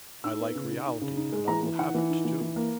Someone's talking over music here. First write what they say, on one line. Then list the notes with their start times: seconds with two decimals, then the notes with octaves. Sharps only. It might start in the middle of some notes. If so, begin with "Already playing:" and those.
I like reality, and I will have it too.
0.24 D#4 E6
0.40 B3
0.55 C#3
0.71 D#4
0.86 D#4
1.01 C#3
1.17 D#4
1.32 G#3
1.48 E3 A#5
1.63 E3
1.79 D#4 F#5
1.95 E3
2.10 D#4
2.25 E3
2.41 E3
2.56 A#3